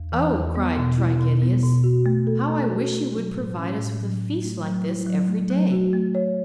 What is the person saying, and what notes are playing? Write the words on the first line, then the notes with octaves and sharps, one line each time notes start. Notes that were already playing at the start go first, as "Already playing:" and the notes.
"Oh," cried Trigetius, "how I wish you would provide us with a feast like this every day!"
Already playing: E2
E3
E2
B3
B2
E4
B2
B3
B2
F#4
A3
A4
A3
F#4
A3
F#3
A2
C#4
A2
F#3
A2
A3
F#3
E4
F#3
A3
F#3
F#4
A3
C#5